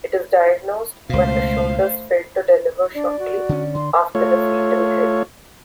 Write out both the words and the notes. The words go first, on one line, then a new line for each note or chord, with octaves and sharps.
It is diagnosed when the shoulders fail to deliver shortly after the fetal head.
C#2 B2 A3 C5 F5
D4 D5
F#4
D3 C#4
D3 C6
A3 F4 C#5